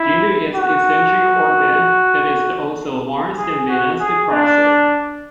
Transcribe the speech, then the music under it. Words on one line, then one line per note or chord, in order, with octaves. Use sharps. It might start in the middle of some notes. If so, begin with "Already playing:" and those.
Due to its eccentric orbit, it is also a Mars and Venus-crosser.
Already playing: E4
F#4
G#4
F#4
G#4
D4